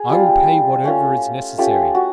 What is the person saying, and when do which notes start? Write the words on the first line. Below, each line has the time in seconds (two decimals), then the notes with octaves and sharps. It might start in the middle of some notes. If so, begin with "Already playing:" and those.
I will pay whatever is necessary.
Already playing: G#4
0.09 G3 C4 F4
0.84 A3 C#4 F4
1.58 A3 C#4 F4 G4
1.95 F#4